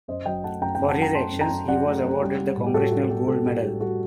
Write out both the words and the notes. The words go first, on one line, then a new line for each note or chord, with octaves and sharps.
For his actions, he was awarded the Congressional Gold Medal.
F#2 C5 D#5
F#3 D#5 G5
A3 F#5 A5
F#2 G5 A#5
F#2 G5 A#5
F#5 A5
F#3
G5 A#5
A3 A5 C6
F#2
G5 A#5
F#2
F#3 D5 F#5
A3
F#2
G3
G3
A2
G4
A2 F#4 A4
G3 F#4
G3 G4
A2 F#4 A4
A2 G4
G3 G4
G3 F#4 A4